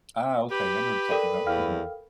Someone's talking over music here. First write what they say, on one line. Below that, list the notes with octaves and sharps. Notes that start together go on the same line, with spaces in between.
Ah, okay, I know what you're talking about. Mhm.
G4 B4
A4 A#4 D5 G5
E2 F5 G5 F6